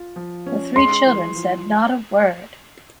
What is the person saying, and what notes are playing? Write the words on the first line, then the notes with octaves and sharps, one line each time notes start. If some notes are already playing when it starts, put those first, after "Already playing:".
The three children said not a word.
Already playing: F4
F3
C#4
G#3 C6
E3
F3